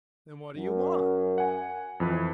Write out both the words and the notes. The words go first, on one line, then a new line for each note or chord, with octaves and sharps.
"Then what do you want?"
F#2
F#5 G#5
F2 E3 B4